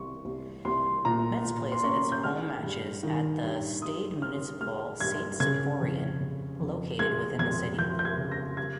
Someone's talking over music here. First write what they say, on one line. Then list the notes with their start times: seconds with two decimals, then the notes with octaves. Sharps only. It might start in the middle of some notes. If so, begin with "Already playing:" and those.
Metz plays its home matches at the Stade Municipal Saint-Symphorien located within the city.
Already playing: C2 C#6
0.25 C2
0.65 C2 C6
1.05 A#2 A#5
1.44 A#2
1.72 C6
1.83 C#4 C#6
2.12 G6
2.23 G#3 F6
2.64 G2
3.03 D#3
3.43 G2
3.82 G2 D#6
4.22 G2 F6
4.61 G#3 F6
5.00 G2 G#6
5.40 C#3 G#6
5.81 F2
6.20 C#3
6.60 F2
6.99 G#3 G#6
7.38 F2 G#6
7.79 F2 G6
7.99 G6
8.05 G#6
8.18 C#3
8.32 A#6
8.57 G3 G#6